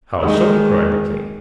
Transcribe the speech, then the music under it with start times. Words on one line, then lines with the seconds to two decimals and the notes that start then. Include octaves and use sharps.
"How so?" cried the king.
0.21 D#3 G#3